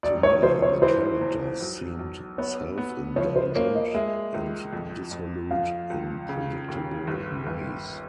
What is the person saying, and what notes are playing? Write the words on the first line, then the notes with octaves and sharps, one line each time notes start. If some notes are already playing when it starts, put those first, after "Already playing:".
To me, the characters seemed self-indulgent and dissolute in predictable ways.
E1 D5
C#5
F3 C5
C#5
E3 C5
E2
B1
B1
B3 C#5
B3
F3 C#5
C5
A#3 C#5
D#5
G#3 E5
C#2
F2
F2
F3 F5
C#2
C#3
D#2
G1
G1